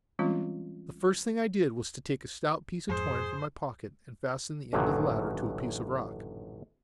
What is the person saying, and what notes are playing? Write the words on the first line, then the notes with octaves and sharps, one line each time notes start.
The first thing I did was to take a stout piece of twine from my pocket and fasten the end of the ladder to a piece of rock.
E3 G3 G#3 C4 C#4 F4
F2 G#2 G#4 C5
A1 F#2 A#2 D3 D#3 F#3